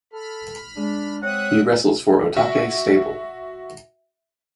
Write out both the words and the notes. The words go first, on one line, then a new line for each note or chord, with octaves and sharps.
He wrestles for Otake stable.
A4 B5 F6
G#3 D4
C4 C#5 E5 F#5 D#6 F#6
F#4 E5